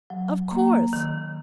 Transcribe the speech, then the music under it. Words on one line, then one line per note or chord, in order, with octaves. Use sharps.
'Of course.
F#3
A#3
D#3